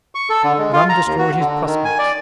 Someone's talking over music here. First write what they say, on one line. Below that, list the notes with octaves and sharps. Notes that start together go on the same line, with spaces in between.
Rum destroyed his prospects.
C#6
A4
D3
G#3
F4
A#5
D#2
F#4
D3
D#3
G#5
D5